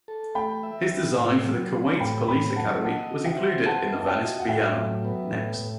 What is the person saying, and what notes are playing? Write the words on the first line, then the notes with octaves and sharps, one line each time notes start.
His design for the Kuwait Police Academy was included in the Venice Biennale, "Next".
A4
A3 G5 B5
E5
E4
A2
F#3
C4
A2 G5 B5
A2 G5 B5
F#3 F#5 A5
D#5 F#5 A5
F#4
E5 G5
C5
B3 F#5 A5
D#5
A5
E5 G5
F#4
F#5
A2 E5 G5
F#3
B3
A2
A2